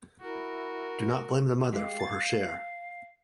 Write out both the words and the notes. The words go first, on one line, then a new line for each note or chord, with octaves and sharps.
Do not blame the mother for her share..
E4 F#4 A#4
G#3 G4 F5
A6